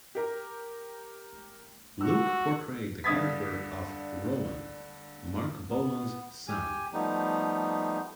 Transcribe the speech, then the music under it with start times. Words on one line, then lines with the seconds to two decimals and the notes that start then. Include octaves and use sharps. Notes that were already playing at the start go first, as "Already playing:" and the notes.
Luke portrayed the character of Rolan, Marc Bolan's son.
0.15 G4 A#4
2.01 F#4 E6
3.04 G2 D3 D#6 G#6 A6 B6
5.69 B3
6.48 G4 G#5
6.93 F3 G3 A3 B3 D#4